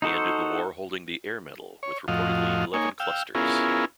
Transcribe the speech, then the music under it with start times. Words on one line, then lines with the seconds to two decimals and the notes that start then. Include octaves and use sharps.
He ended the war holding the Air Medal with reportedly eleven clusters.
0.02 D#4 F#4 A4 C5
1.83 C#5
2.08 F2 A2 F3 F#4 D#5 F5
2.74 A#3 D#4 C#5 G#5
3.00 F5 G5 E6
3.35 B3 C#4 E4 F4 G#4 A#4